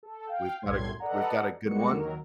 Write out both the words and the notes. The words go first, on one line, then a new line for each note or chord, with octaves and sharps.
we've got a we've got a good one.
A4
F5 G5
B1 F#2 A2 G3 C6 G#6
A4 B4 D5 D#5 F#5 A#5
G3 G#3 A#3 B3 F#4 C#7
D#2 D#3 F#3 A#4